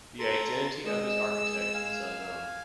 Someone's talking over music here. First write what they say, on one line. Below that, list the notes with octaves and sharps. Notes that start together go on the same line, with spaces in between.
The identity of its architect is unknown.
A4 A#5 C6
G#3 D#5 E6
F5 G#5